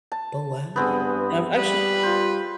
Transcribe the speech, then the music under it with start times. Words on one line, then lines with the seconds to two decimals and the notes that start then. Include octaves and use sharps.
"But why?" And I've actually
0.12 A5
0.76 G2 B3 C4 G#4
1.57 G3 B4
2.03 F4 C5